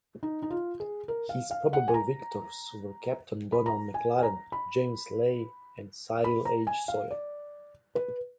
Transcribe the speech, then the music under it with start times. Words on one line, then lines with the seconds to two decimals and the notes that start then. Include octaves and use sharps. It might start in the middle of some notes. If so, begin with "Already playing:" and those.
His probable victors were Captain Donald MacLaren, James Leith and Cyril H. Sawyer.
0.23 D#4
0.42 D#4
0.50 F4
0.80 G#4
1.08 A#4
1.29 F5
1.51 F5
1.73 F#5
1.88 G#5
1.94 A#5
3.52 B5
3.66 A#5
3.94 G#5
4.18 G#5
4.23 A#5
4.52 B5
6.24 B5
6.45 A#5
6.67 G#5
6.88 F5
7.11 D5
7.95 B4